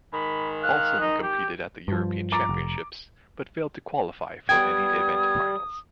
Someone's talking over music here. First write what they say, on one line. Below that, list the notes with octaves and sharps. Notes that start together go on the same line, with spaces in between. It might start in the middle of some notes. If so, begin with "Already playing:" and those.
Paulsson competed at the European Championships but failed to qualify for any event finals.
G#2 D#3 B5
F5 F#6
D#4
G4 G6
G2 F3
A#5 D6 A6
F1
G3 B3 G5 D#6 G#6